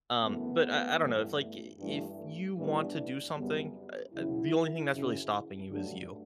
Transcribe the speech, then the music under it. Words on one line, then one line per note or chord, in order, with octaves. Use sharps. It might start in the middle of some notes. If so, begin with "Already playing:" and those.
Um, but I I don't know, it's, like, i i if you want to do something, uh uh, the only thing that's really stopping you is you.
F#2 E3 A3 B3
G2 E3 A3
G2 E3 A3
A2 E3 G3 B3 D4
F#2 C#3 G3 B3
E2 C#3 F#3 B3 E4
F#2 C#3 E3
G2 F#3 A3 D4